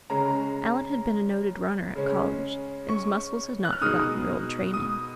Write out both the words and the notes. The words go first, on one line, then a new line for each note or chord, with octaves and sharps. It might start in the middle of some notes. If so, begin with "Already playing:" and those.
Alan had been a noted runner at college and his muscles had not forgotten their old training.
C#3 G#3 C#4 A#5
C#3 G#3 C#4
C#6
F#6
F6
B2 G#3 D#4 D#6
D#6